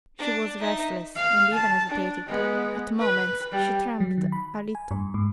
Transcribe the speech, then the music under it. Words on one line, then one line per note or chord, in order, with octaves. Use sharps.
She was restless and even agitated; at moments she trembled a little.
D4
D#4 E5
F5
A5
D4
G#3 B3
B4
G3
F#3
D#3
B5
G#5
G2
G#2